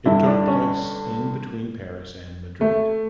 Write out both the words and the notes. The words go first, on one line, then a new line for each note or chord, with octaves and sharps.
It took place in between Paris and Madrid.
G2 D3 E4
D4
C#4
A3